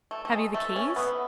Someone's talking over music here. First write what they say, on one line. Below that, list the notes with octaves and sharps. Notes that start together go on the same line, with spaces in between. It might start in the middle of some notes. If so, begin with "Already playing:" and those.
"Have you the keys?"
A3
A3
G#3
A3
C#4
B3